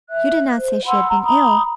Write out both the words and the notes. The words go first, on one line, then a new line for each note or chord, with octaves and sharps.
'You did not say she had been ill?'
E5 F#6
C5
F#5 B5 C6 E6
A#5
A#5 B5 D#6